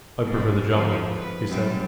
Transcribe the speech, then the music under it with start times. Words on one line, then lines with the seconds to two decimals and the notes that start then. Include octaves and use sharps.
"I prefer the jungle," he said.
0.25 G#2
0.71 D3 F3 C4
1.06 B4
1.48 F#2 G3